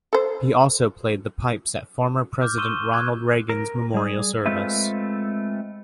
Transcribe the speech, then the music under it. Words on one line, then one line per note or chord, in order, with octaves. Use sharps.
He also played the pipes at former President Ronald Reagan's memorial service.
A4 C5
D6 F6 G6
C6 C#6 E6 D#7 E7 G7
E6 F#6 G#6
A#4
G3 G#4
G#3 A3 C4 F4 B4 E5